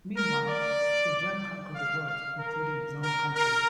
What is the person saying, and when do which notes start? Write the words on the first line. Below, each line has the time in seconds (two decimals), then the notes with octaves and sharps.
Meanwhile, the "Gem" conquered the world, including his own country.
0.16 A#4
0.48 D5
1.75 F5
2.07 F5
2.39 A#4
3.03 A#4
3.35 A#4